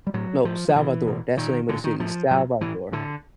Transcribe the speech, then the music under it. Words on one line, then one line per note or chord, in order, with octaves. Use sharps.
No, Salvador. That's the name of the city, Salvador.
G3
A2 F#3
A2 F3
F3
B2 E3
B2
A#2 D#3
A#2 D3
D#3
A2 F3
A2 F#3
A2 E3
A2 D3